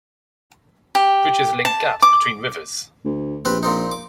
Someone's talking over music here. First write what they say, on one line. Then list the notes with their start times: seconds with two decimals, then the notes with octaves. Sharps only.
Bridges link gaps between rivers.
0.95 G4
1.65 A5
2.02 D6
3.05 D2
3.45 A#1 C4 G4 B4
3.63 A#2 C4 D#4
3.92 D6